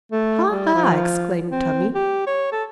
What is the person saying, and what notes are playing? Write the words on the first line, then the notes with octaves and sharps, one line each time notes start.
"Ha, ha!" exclaimed Tommie.
A3
G3
F3
C4
G4
C#5
A4